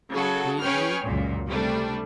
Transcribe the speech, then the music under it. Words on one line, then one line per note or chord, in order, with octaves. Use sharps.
Feed you?
C#3 F#3 F#4 A4
C#4 G#4 B4 C#5 G5 F6
C#2 F#2 A#2
C3 G3 A3 D4